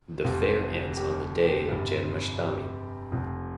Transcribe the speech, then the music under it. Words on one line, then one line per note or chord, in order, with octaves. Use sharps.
The fair ends on the day of Janmashthami.
F1 F2 C3 F3 F4
G4
G4
G1 F2 C3 G3 F4
G4
F1 F2 F3